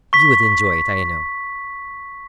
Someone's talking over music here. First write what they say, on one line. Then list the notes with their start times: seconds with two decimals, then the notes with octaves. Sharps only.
You would enjoy it, I know.
0.13 C#6 B6